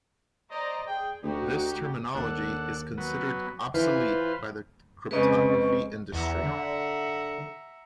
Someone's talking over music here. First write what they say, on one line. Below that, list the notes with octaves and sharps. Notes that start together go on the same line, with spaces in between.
This terminology is considered obsolete by the cryptography industry.
C5 D5 D#5 A#5
G#4 G5
D2 D#4 F#4 G4
D#2 D4 A4 F#5
F#3 B3
E3 F4 B4 C5
F2 C#3 G#3 B4 D#5 C#6
E2 E5 F#5 A#5
D3